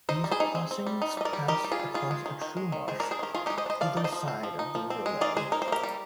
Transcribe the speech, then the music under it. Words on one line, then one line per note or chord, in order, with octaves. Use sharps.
These crossings passed across a true marsh, either side of the River Lea.
D#4 C5 D#5
G3
G#4 C5
D#4
C4
C4
G3
D#4
G3 D#5
A#4 D5
G3
D#4 G4 A#4
G3
F4 G#4
G3
D#3 F4 G#4
G#3
D#3
D#3
G#3
D#3
G#3 G#4 C5
A#4 D5
D4
G#4 C5
D#3 G4 A#4
D#3 F4 G#4
D#4 G4
G#3
C5 D#5
D4
C5 D#5
F3 D5 F5
D#4 D5
C5 D#5
F3
C4
F3
D#4
F3
C4
G#3
D#4 D5 F5
G#3 G#4 C5
D#4 A#4
C5
A#3 G4 A#4
G3